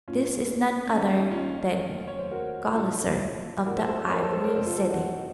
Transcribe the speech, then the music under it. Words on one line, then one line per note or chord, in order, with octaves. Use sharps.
This is none other than Gulizar of the Ivory City.
A1 A2 F3 C#4 F4
C#4
D#2 D#3 D#4
C#4
D#4
C#4 F4
F1 D#2 D#3
C#5
C5
F#4 A#4
A#1 A2 F3 F4 A4
A1 A2 F3 F#4 A#4
A4 C5
A4 C5
A4 C5
A#4 C#5
A4 C5
A4 C5
A#4 C#5
F#1 F2 C3 A4 C5
F4 A4
F4 A4
D#4 F#4